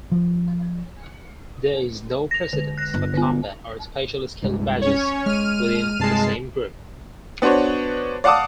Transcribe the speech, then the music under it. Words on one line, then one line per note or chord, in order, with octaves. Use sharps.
There is no precedence for combat or special skill badges within the same group.
F3
A#6 F7
D3
F#6 A#6
G1
D3 B3
C2 G2 G#3
C#4 C#5
G#3 F6 D#7
G2 C3 G#3 A5 C7
B3 D4 F#4 C5 C#5
D5 F5 F#5 A5 D6 D#6